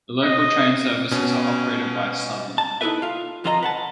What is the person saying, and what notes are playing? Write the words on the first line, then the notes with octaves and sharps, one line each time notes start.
The local train services are operated by Southern.
D#5
B2 C#4
A5
D#4 E4 G4 A4 B4 E5
F4 F5
F2 F3 F4 A4 D#5 A#5
B4 F#5 A5